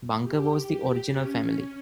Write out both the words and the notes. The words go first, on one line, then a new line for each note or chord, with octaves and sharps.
"Bunker" was the original family.
G4
C#4